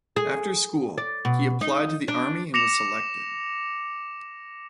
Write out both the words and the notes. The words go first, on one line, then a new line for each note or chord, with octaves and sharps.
After school he applied to the army and was selected.
G#4
D5
B2
D#4
D4
D6 A#6 C#7 E7 F7